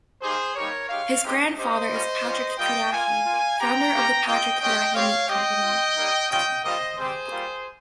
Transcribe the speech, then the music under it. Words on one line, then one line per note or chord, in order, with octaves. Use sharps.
His grandfather is Patrick Cudahy, founder of the Patrick Cudahy meat company.
A#3 D#4 G4 G#4 C5
G3 A#3 D#4 G4 A#4 C#5
G#3 D#4 G4 C#5 F5
G#3 C4 D#4 G4
A#3 C#4 G4 C5 D#5
G3 C#4 F4
G3 C#4 F4
G3 A#3 F4 D#5 G5
A#3 F4 F5 G#5
A#3 F4
C4 G4 G5 A#5
A#3 C#4 G4
G#3 C4 F4 D#5 G5
G#3 C#4 G4 D#5 G5
C4 G4 C#5 F5
C4 G4 D#5 G5
C4 F4
G3 A#3 D#4
G3 C#4 F4 D#5 G5
G3 A#3 F4 C5 D#5
G3 C4 G4 G#4 C5
G3 A#3 F4